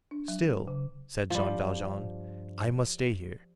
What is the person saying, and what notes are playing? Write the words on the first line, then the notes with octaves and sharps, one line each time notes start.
"Still," said Jean Valjean, "I must stay here."
D4
F#3
C#3
G2 F3 G3